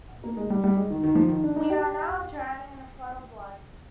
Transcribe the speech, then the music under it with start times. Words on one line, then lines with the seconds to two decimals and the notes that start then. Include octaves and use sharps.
We are now drowning in a flood of blood...
0.24 A#3
0.37 G#3
0.50 G3
0.64 G3
0.77 G#3
0.90 D#3
1.04 D#3
1.15 F3
1.28 D#3
1.44 D4
1.56 D#4
1.70 G4